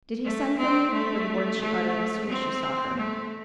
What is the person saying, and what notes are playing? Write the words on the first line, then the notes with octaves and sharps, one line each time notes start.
"Did he send for me?" were the words she uttered as soon as she saw her.
A3
C4
A3
A3
C4
A3